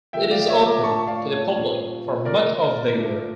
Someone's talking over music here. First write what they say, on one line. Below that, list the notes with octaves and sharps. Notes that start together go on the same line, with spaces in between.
It is open to the public for much of the year.
D3 F3 A3 E5 G5
D5 F5
C#5 E5
A#5 D6
A2 F3 A#3 D4 A5 C#6
D5 F5
C#5
A#2 G3 C#4
D3 A3 C#4 A#4 D5
A#2 A3 D4